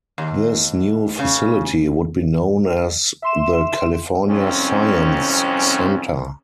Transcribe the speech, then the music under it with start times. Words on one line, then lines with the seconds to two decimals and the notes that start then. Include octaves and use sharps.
This new facility would be known as the "California Science Center".
0.18 D#2
1.19 C#3
3.22 E5 C6 E7
4.28 C2 F2 G#2 C4 C#4